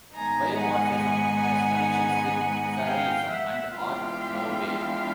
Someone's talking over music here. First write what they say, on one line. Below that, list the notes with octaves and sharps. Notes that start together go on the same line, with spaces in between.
Biomorphism has connections with Surrealism and Art Nouveau.
G#2 D#3 G#3 B3 D#4 G#5 A#5
F#5 G#5
F5 G5
E5 F#5
E3 G#3 B3 D4 F4 F5 G5